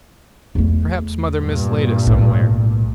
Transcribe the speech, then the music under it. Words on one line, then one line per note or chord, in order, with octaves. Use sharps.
Perhaps mother mislaid it somewhere.
E2 A3
G2 A#2
B1 A2